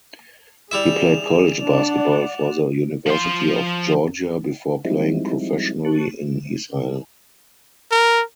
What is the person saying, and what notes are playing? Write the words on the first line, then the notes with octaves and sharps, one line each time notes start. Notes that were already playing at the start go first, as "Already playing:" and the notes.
He played college basketball for the University of Georgia before playing professionally in Israel.
G3 E4 G#4 E5 E7 F7
D4 D5 F#5
F3 C6
F3 G3 G#3 C4 D#4 E4
A5 C#6 F#6
A#4